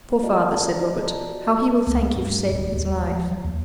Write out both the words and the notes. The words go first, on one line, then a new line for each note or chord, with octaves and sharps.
"Poor father," said Robert; "how he will thank you for saving his life."
F4 F#4 D5 D#5 A5 A#5
C#2
A3
G2
D1
D#2
F3
F#3
D#2